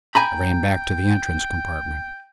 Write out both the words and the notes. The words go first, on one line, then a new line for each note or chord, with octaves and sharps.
I ran back to the entrance compartment.
G5 G#5 A#5 B5